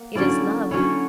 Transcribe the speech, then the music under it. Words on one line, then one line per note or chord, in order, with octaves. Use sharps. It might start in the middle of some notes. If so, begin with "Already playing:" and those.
It is love.
Already playing: A#3 F#5
D3 F#3 C#4 E4 D5
D3 F#3 C#4 E4 C#5